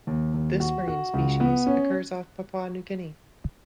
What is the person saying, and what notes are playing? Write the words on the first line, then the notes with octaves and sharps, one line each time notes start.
This marine species occurs off Papua New Guinea.
D#2
D#2
F#4
F#4
C#2
B3
C#4